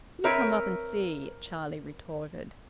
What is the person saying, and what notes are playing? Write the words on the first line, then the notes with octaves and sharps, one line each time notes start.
"You come up and see," Charlie retorted.
C4 A#4 B4 C#5 E5